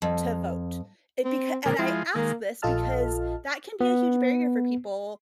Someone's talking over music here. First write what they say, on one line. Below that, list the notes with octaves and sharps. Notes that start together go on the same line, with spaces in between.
to vote? It becau and I ask this because that can be a huge barrier for people,
F2
C4
A#2 D3 G#3 A#4
F3 G#3 E4
D#3 G#3 A#3
A#1 F4 A4 D#5 A5 F6
B3